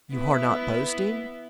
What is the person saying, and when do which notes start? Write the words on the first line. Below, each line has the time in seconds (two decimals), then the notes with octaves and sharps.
"You are not boasting?"
0.12 B3 E4